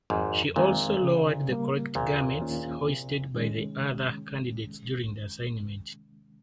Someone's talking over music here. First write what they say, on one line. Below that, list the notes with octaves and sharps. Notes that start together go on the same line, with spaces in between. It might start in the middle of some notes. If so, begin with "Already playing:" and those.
She also lowered the correct garments hoisted by the other candidates during the assignment.
G#1 F2 G#2
A#1 A#2 D#3 G#3 C4 D#4
C#3
G3 A#3
A#1 D#2 A#2
D#3 A#3 C#4 F4
C3
D#3 G#3 C#4